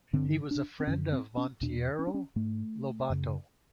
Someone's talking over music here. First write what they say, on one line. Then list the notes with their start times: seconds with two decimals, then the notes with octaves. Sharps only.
He was friend of Monteiro Lobato.
0.13 G2 D3 C4
0.51 D4
0.80 C4
0.87 F#2 D3 C#4
1.12 C4
1.37 C#4
1.62 E2 B2 D4
1.99 C#4
2.07 D4
2.14 C#4
2.36 G#2 A3
3.10 F#2 C#3